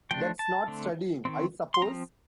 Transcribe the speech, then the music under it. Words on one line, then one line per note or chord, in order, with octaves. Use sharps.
That's not studying, I suppose?
F3 A3 D4 G5
A5
D3 A3 C4
D#3 G3 C4
C6
F3 C4 A#5